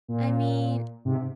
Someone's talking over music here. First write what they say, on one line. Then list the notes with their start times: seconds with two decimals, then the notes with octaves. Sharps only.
I mean,
0.08 A#2
1.05 G#2 C3